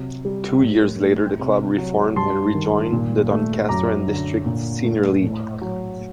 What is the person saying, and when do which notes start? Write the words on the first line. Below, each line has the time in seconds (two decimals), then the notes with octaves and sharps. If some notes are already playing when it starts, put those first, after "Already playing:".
Two years later the club reformed and rejoined the Doncaster and District Senior League.
Already playing: C3 F#3
0.25 G3
0.63 A2
1.01 A3
1.39 C3
1.78 F#3
2.16 G2 A5 C6
2.54 D#3
2.92 A#2
3.31 A3
3.69 F#2 A#5 D6
4.08 D3
4.46 A#2
4.84 A3
5.23 A2
5.61 F#3